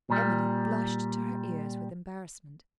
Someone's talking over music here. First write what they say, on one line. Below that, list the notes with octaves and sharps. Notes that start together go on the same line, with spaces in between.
Emily blushed to her ears with embarrassment.
A#2 G3